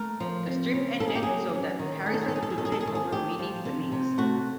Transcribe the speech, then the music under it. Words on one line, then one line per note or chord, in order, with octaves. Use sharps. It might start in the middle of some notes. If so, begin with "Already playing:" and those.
The strip ended so that Harrison could take over Minnie the Minx.
Already playing: A3 A#4
F3
C4
C#3
A#3 A4
G#4
G4
F#3 G#4
C#4
D#3
A3 G#4
A4
G#4
A4
F#3 G#4
A4
G#4
D#3 A4
G#4
A4
G#4
D#3 A4
G#4
A3 G4
F3
C3
C3
A3 F#4